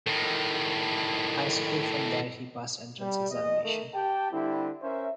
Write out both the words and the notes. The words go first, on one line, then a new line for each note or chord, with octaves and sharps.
High School from where he passed Entrance examination.
A2 D#3
G3
E2 D#5
D#3 A3 A#3
G4 G5 A5
D3 G3 C4 E4
C#4 A#4 C5 E5